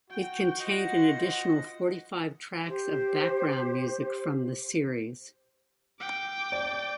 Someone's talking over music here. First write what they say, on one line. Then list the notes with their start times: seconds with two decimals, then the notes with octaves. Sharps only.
It contained an additional forty-five tracks of background music from the series.
0.10 F#4 G5
0.60 F4 C5 D#5 F#5
2.67 G4 C5
6.00 G5 D6
6.52 D5